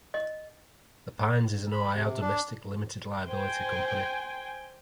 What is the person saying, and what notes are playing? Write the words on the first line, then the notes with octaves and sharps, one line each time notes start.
The Pines is an Ohio Domestic Limited-Liability Company.
D#5
B5
C3
D4
C5 G5 G#5